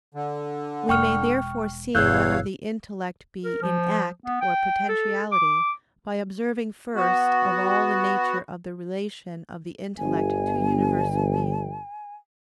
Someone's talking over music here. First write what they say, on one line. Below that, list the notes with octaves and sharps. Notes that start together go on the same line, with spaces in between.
We may therefore see whether the intellect be in act or potentiality by observing first of all the nature of the relation of the intellect to universal being.
D3
E1 G5 C#6 F6
G1 E2 B2 C#5 F5 E6 F#6 G6
A#4
F3
B3
G5
A4
D6
B3 F#4
G1 G#5